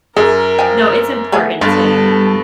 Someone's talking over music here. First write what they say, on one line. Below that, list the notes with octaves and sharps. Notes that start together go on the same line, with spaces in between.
No, it's important to
F#2 G#4 A#4
F3 G5 G#5
A3 B3 G#4
G2 G3 B3 F4 A4 A5 A6